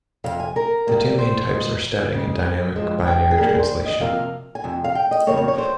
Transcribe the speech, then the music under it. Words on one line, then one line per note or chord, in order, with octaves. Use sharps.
The two main types are static and dynamic binary translation.
F2 C3 F5
G#5
A#4
G#2 G3 A#3
C5
A#2 G#3
D#2 C#3 G#3
G2 F3 G#3
G5
G#4
G2 D#3 G3 A#3 A#4
G#4
C5
D#5
C3 F3 A#3 F5
G#5
F2 C3
F5
G5
D#5
F2 C#3 G3 A#3 C#5
C#5
C#5
C5